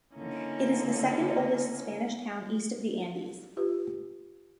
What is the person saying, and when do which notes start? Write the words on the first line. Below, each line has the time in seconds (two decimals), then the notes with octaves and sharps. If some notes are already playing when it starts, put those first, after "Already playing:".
It is the second oldest Spanish town east of the Andes.
0.16 D3 A#3 C#4 D#4 E4
3.57 F4 G4 B4